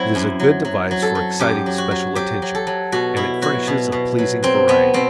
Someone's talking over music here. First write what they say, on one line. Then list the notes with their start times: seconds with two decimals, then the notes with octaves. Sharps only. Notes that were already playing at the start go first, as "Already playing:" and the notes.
It is a good device for exciting special attention, and it furnishes a pleasing variety.
Already playing: F#3 C4 E4 F#4
0.15 F#2
0.40 F#3
0.65 F#3
0.91 F#3
1.02 A4
1.15 F#3
1.40 F#2 G4
1.66 F#3
1.78 F#4
1.91 F#3
2.15 F#3 G4
2.42 F#3
2.55 A4
2.67 F#3
2.92 B2 F#4
3.17 B2 E4
3.42 F#3 F#4
3.67 B2
3.92 B2
4.18 F#3
4.43 F#3 C4
4.68 B2 B3
4.94 B2 C4